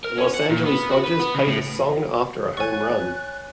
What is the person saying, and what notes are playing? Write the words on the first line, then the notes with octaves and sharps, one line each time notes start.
The Los Angeles Dodgers play the song after a home run.
A#4
C#4
F#5
A#2
B3
F#4
B4
B3
C#3
A2
C#5 G#5 C#6 F#6 A6